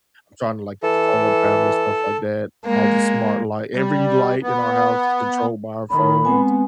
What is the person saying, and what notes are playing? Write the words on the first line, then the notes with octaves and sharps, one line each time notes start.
I'm trying to like get solar panels, stuff like that, all the smart light every light in our house is controlled by our phones,
E3 A4
G#3 A#3
G3
B3
D#3 B5
G#3 B3 C4 G#5